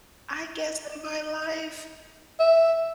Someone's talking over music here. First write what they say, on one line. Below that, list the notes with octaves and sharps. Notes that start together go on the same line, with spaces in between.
I guess, in my life,
E5